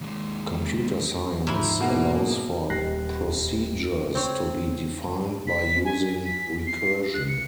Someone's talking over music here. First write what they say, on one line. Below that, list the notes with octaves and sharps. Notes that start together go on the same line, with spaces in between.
Computer science allows for procedures to be defined by using recursion.
D#2 G#3
G#2 F3 E4
B2 A#3
D#1 G3 F#6 A#6 C7
C4 C#5
B6
G#5
B6
C7
F#6
C#7